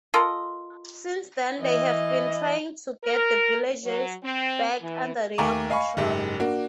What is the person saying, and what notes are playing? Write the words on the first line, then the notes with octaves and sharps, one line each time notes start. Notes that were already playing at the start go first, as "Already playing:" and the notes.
Since then they have been trying to get the villages back under their control.
F4 A4 A#4 D#5
E3 D#5
A#4
F#3
C4
E3
D#2 A3 G#5 A#5 C#6 D6
D#5 F5 G#5 B5 C#6
F#1 G#2 G4
A#3 D4 F#4